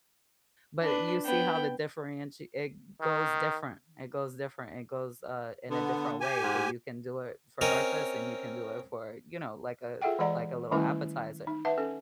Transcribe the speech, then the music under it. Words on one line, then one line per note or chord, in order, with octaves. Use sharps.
but you see how the differenti it goes different, it goes different, it goes, uh, in a different way that you can do it for breakfast and you can do it for, you know, like a s like a little appetizer.
D4 B4
B3 G5
D#3
D3 B3
G4 G#5
G#2
C4 C#4 F#4 A#4 C#5 D#5
F4 G#4 A4 E5 F#5 G5
E3 G#3 D5 D#5 F#5 A#5
D#3 G3 A3 C#4 E4 A#4
D#4
B4 E5 F#5 A5
C#4 A4